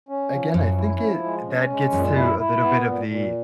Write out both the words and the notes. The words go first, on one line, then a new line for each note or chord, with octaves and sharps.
again, I think it that gets to a little bit of the,
C#4
F3
F#2 C#4
E4
F3
G#3
C#4
G#3
F#2 A#2
E4
E4
B3
A#2
A#2